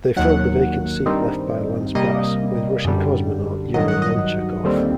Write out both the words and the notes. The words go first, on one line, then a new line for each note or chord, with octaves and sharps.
They filled the vacant seat left by Lance Bass with Russian cosmonaut Yuri Lonchakov.
D#2 D#3 F#3 F#5
G2 D#3 G3 C4 D#4
C3 G3 A#3 D#5
F#2 D3 G3
G2 D#3 F#3 D#5
F#5
D#5
D#2 D3 G3 C4